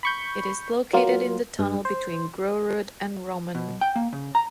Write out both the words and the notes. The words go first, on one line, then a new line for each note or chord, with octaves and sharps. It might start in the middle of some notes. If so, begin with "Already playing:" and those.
It is located in the tunnel between Grorud and Rommen.
B5 C#6 G6
F#3 A#3 F4
G2
C5
B2
G5
A#3
C#3
A#5